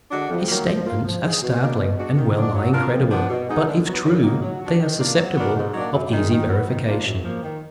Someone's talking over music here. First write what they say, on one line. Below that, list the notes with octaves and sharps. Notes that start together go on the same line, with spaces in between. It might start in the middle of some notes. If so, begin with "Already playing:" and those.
His statements are startling and well-nigh incredible, but if true, they are susceptible of easy verification.
D3 G#3 D4 F#4
F2
D#3 F#3 A#3
F3
A#3 F4
F3
G#3 D#4 G#4
B2
A#3 D4
B2
G#3 D4 F#4
D#3
F#3 D4
F#3
D4 F4 A#4
F2
F3 B3 D4
B2
G#3 B3 D#4 A#4
D3
F#3 B3
F#2
D#3 F#3 A#3 D#4
F#3
D4 F#4
D#3
A#3 D4 F4
F#3
B3 D4 F#4 A#4
G#2
F#3 A#3 D4
F#2
D#3 G#3
D#3
F#3 B3
D#3
A#3 D4 F4
F#2
F3 A#3
D#3